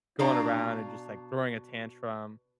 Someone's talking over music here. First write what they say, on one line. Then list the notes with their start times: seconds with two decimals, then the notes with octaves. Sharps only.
going around and just, like, throwing a tantrum,
0.19 B2 D4 D5 F5 A#5